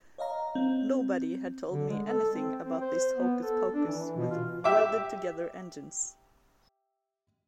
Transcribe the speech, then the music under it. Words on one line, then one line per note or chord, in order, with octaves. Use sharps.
Nobody had told me anything about this hocus-pocus with welded-together engines.
C#5 D#5 F5 A#5
C4
D3
G#3
A4
C4
C4
C5
B3
A4
D4
E3
B2
F4
G4 E5 D6